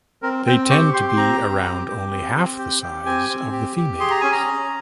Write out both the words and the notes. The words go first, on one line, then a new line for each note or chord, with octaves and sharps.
They tend to be around only half the size of the females.
C4 A#4
C4 G5
G4 C#6
G4 C6
C6
C4 A#5
C4
G4
G4
C4
C4
G4
G4
C4 G#5
C4
G4
G4
G#4 C6
A#5
C#4 G#5
A#5
C#4